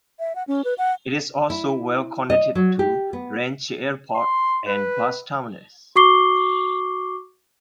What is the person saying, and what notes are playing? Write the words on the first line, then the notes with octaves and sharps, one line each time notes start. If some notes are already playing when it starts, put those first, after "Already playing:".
It is also well connected to Ranchi Airport and Bus Terminals.
E5
F#5
C#4
B4
F#5
E4
D#5
F#3
G4
B3
C6
B4
F#4 C#6 D6 C7 G7